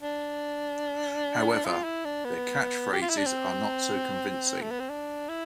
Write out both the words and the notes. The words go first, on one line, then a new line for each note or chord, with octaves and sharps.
However, their catchphrases are not so convincing.
D4
F4
E4
D4
B3
G4
F4
E4
D4
C4
A3
B3
C4
D4
E4